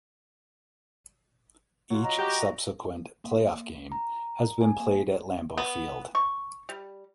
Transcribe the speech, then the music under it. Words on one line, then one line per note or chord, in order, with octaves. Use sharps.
Each subsequent playoff game has been played at Lambeau Field.
F#3 F4
D#5 A#5
F#4 G4 F#5
A#3
A#5
G#5
A#3
B3
C#6
G3